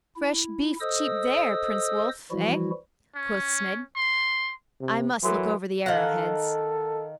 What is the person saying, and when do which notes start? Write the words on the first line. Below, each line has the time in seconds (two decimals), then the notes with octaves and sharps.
'Fresh beef cheap there, Prince Wulf, eh?' quoth Smid; 'I must look over the arrow-heads.'
0.16 E4
0.80 A4 C5 D#5 D#6 E6
2.31 E3 F3 G3 E4 F#4
3.15 C#4
3.96 C6
4.81 C3
5.23 E3 F#3 A4 A#4 C6
5.86 D#3 A4 F5 F#5